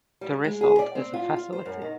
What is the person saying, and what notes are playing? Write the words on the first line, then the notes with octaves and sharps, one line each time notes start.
The result is a facility.
G3
G#3
G#4
D5
C4
F4
F4
C5
F#2
D#3